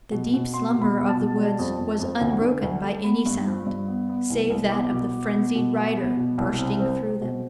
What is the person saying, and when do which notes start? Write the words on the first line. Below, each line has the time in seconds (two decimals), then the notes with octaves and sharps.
The deep slumber of the woods was unbroken by any sound save that of the frenzied rider bursting through them.
0.11 B2
0.34 B2
0.53 B3 C6
0.75 B2
0.81 B5
0.96 B3
1.09 A5
1.17 B2
1.37 G3
1.59 F2
1.79 F2
2.00 F2
2.21 D2
2.41 D3
2.62 D2
2.84 A3
3.04 B3 B5
3.26 G2
3.46 F3
3.67 G2
3.88 B3
4.09 B3
4.30 C2
4.50 C2
4.72 B3 D6
4.92 B2
5.13 B3
5.34 B3
5.55 B2
5.76 B3
5.97 B3
6.17 B2
6.38 C2
6.59 C3
6.80 C4
7.01 C4
7.22 B2